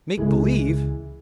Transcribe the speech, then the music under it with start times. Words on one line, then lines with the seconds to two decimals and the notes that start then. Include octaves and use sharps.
"Make believe!"
0.17 C#2 E3 G#3 E4